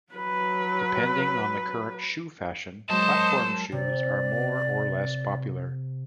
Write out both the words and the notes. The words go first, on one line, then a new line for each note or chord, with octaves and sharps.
Depending on the current shoe fashion platform shoes are more or less popular.
F#3 B4
F#3 G#3 A#4 C5 D#5 A5
C3 D5